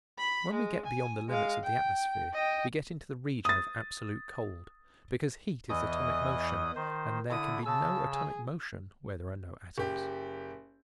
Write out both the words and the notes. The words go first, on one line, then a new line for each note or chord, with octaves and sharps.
When we get beyond the limits of the atmosphere we get into the region of absolute cold, because heat is atomic motion, and there can be no atomic motion where there are no atoms.
B5
G#3
G#5
G#3 F5
G5
D#5 G5
D#6 A6
E2 E3 D#5 D#6
D#3 C5
D3 E4 D#6
C#3 A5 E6
G#4
F#1 G4